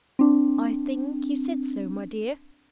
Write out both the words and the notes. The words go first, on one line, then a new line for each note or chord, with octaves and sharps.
"I think you said so, my dear."
C4 D4